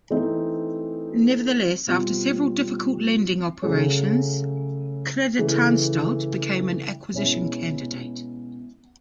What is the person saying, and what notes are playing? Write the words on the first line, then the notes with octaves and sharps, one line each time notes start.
Nevertheless, after several difficult lending operations, "Creditanstalt" became an acquisition candidate.
E3 A3 C4 D#4
B2 G3 C4 F4
C#3 F#3 A3 C#4
C#3 E3 A3
B2 G#3 C#4 E4